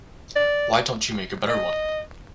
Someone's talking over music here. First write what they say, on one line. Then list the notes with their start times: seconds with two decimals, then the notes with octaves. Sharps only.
Why don't you make a better one?
0.36 D5
1.49 D#5